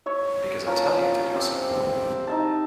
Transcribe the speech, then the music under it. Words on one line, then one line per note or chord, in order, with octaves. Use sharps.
Because I tell you to do so.
C#5 E5
F3 A#3 C#4
C4 G4 C5 E5
D#4 E5 A5